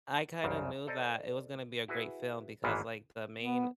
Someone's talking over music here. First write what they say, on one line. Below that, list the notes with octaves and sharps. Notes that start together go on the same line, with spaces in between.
I kinda knew that it was gonna be a great film because like the main,
C2 F#2 C#3
A4 C5 D5 D#5 A#5
E4 F#4 G#4 B4
G#1 G#2 E3 A#3 B3
B3